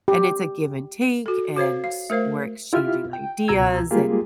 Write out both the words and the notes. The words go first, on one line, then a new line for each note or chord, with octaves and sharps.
and it's a give and take, and we're exchanging ideas, and,
G4
F#4 A4
F#4 C5 C#5 F5
F5
A3 A#4 C5 F5
E4 F4 G4 E5 F6
G5
C#2 B2 F#4 A#5 E6 G#6
G3 G#3 A#3 F4 G4 G#4